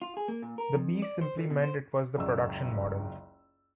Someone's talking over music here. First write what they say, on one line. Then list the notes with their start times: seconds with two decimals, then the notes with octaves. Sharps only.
The "B" simply meant it was the production model.
0.02 F4
0.17 G#4
0.28 A#3
0.42 A#2
0.58 A#4
0.74 F2
1.02 D5
1.21 C5
1.37 D3
1.50 B2
1.62 C5
2.17 F#1 C#2 D5 C#6 E6